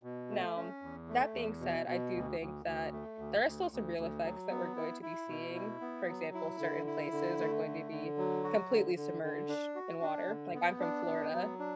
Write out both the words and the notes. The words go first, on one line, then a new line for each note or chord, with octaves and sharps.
Now, that being said, I do think that there are still some real effects that we're going to be seeing, for example, certain places are going to be completely submerged in water- like, I'm from Florida,
B2
A3
C#4
E2
A3
E2
B2
B2
D2
D2
D2
A3
D2
D2
D2
D2
F#3
B3
E4
E4
B2
E4
B3
F#3
E4
D3
E4
D3
A3
D3
D3
F#3
F#4
D3
D3
D3
D4
F#4
D4
D3
B3
D4
B3
F#3
D4